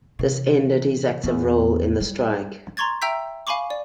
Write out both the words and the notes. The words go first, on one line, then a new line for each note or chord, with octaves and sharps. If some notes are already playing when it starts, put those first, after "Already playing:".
This ended his active role in the strike.
C3 E3
E2
G3
A#5 C6 C#6 G#6 A6
E5 G5 A#5 E6 G6 B6
F5 G#5 B5 C#6 D6
D5